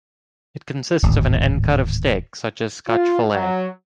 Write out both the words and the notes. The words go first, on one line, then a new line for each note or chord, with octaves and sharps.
It consists of an end cut of steak, such as scotch fillet.
D1 G#1
F4
F#3